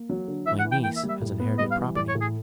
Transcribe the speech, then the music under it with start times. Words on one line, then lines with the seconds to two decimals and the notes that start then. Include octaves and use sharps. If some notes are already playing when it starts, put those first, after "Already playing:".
"My niece has inherited property."
Already playing: A#3
0.10 F#3
0.28 D3
0.46 E3 E5
0.59 F#5
0.65 E3
0.72 G5
0.84 A#3 G5
0.96 E5
1.03 G3
1.09 E5
1.22 A2
1.40 B3
1.58 G3 D#5
1.71 F5
1.78 E3
1.96 A2 D5
2.09 C#5
2.15 A2
2.21 G#4